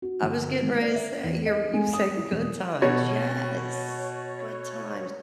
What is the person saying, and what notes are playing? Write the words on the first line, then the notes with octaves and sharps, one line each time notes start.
I was getting ready to say, you're you said Good Times. Yes, Good Times.
F#4
G1
G#1
D5
E5
E2
D#5
G#3
D#6
E4
E1
B2 C#5